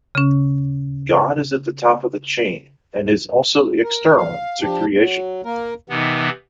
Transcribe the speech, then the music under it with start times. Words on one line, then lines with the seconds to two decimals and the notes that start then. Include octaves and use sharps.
God is at the top of the chain and is also external to creation.
0.15 C#3 C#4
3.84 A#4
4.17 F5
4.61 F3 D4 G4
4.97 F#3
5.44 A#3 A#4
5.90 C3 D#3 E3 B3